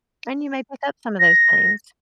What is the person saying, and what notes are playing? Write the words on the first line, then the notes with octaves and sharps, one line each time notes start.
And you may pick up some of those things.
A#6